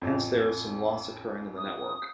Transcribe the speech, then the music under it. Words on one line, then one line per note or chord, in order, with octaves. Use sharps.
Hence, there is some loss occurring in the network.
A1 F2
D#6